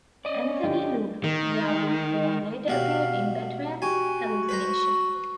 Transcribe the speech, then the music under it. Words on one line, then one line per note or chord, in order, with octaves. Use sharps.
Anthony Lupus' werewolf form later appeared in Batman's hallucination.
C#4 D5 D#5
D3 F3 D#4 G4
D#3
B2 F#4 G4 F5
F#4 G4 G#5
B4 C5 A#5